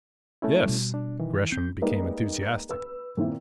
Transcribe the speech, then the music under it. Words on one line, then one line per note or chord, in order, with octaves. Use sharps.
"Yes!" Gresham became enthusiastic.
A3 C#4 E4
B2 G3
D4
D#3 E3
C4 G6
G3 G#3 A#3 D#4 B4
B4 E6
A#2 D#3 C4 E4